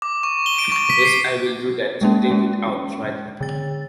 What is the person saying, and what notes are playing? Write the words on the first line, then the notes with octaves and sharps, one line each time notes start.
Yes, I will do that. So take it out right now.
D6
C#6
G7
D7
C#6
B6
C7
G#3 A#3 C#4
G#3 C#4
D3 A6